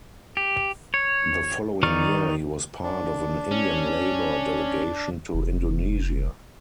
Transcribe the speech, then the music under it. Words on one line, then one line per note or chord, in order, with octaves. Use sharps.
The following year he was part of an Indian Labour delegation to Indonesia.
G4
C#5
D#3 D#4 D5 C#6 F6
D4
C#4
F1